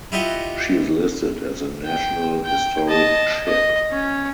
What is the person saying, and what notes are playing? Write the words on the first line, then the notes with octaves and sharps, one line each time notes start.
She is listed as a National Historic Ship.
E4 F4 G4 D#5 F#5
G5
G5
D#5 A5
D#5
C#4